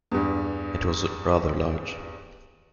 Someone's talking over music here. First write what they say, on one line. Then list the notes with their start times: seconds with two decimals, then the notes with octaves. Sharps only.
It was rather large.
0.11 E2 G2